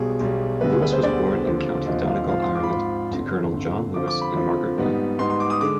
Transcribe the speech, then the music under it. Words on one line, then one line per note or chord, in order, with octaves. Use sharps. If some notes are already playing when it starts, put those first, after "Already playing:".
Lewis was born in County Donegal, Ireland, to Colonel John Lewis and Margaret Lynn.
Already playing: B1 B2 G3 G#4
B1 B2 G3
D2 D3 G3 B3 B4
G#4
B4
C5
D2 D3 G3 B3 D5
D#2 D3 F3 C4
D#2 D3 F3 C4 D#5
F5
G#2 F3 C4 F4 F5
C6
D6
B5
G#2 F3 C4 F4 C6
G1 F2 D3
G1 F2 D3
F2 D3 F3 C4 F4 D6
D6
B5
F2 D3 F3 C4 F4
G#2 G3 B3 D#4
G#2 G3 B3 D#4 C6
C6
D6
D#6
D3 G#3 D6